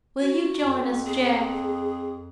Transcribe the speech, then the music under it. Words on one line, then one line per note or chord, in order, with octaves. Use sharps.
"Will you join us, Jack?"
F#4
F2
G#4